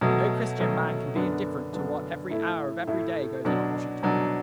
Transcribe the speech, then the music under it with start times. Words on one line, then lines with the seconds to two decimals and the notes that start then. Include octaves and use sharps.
No Christian man can be indifferent to what every hour of every day goes on at Washington.
0.01 B2 F#3 A3
0.58 B2 F#3 A3
1.16 F#2 D3 B3 D4
1.73 F#2 D3 B3 D4
2.30 A2 A3 E4
2.87 A2 A3 E4
3.45 B2 F#3 D4
4.03 B2 F#3 D4